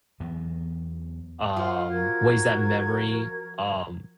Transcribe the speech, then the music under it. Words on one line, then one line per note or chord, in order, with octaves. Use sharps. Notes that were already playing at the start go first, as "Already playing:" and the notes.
um, ways that memory, um
E2 E3 F#3 B3
F3 C5 F#5 C6
F#4 A#4 G#6